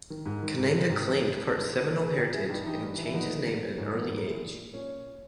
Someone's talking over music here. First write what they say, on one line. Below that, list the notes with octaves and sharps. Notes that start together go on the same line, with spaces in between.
Kananga claimed part Seminole heritage and changed his name at an early age.
D#3
G#2
D#3
G#2
E3
G#2 G4 A#4
E3
G2
D#3
G2
D#3
A#2 A#4 C#5
G#4 B4
A#2 G4 A#4
E4 G#4
G2 D#4 G4
E3 D#4 G4
G2
E3
E4
A#2 B3 D#4
A#2
G#2 C#4
E3 B3
G#2
E3
A#2
A#2 C#4